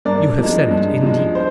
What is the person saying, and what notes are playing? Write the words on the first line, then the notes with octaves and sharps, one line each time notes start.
You have said it, indeed.
G2 A#4 D5
F3 G#3
G2
F3 G#3
C5